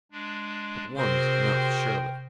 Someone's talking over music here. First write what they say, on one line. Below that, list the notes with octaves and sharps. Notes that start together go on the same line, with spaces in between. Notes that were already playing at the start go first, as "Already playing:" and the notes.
But one's enough, surely.
G#3 D4
C3 C4 F#4 G#4 A#4 C5
G5